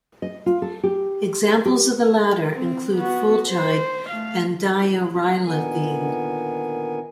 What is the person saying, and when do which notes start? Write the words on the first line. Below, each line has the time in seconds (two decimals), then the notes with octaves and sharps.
Examples of the latter include fulgide and diarylethene.
0.22 D#5
0.46 F4
0.62 A4
0.83 G4
1.65 G4
2.54 C4
2.97 B3 F#4
3.50 C5
4.10 A3 F5
5.47 A#2 D3 D#3 B3 A#4 G#5